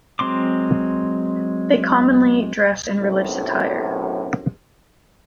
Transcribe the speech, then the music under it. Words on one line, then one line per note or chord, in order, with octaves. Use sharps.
They commonly dress in religious attire.
F#3 G#3 C4 C6 D6
B1 F#2 A2 C3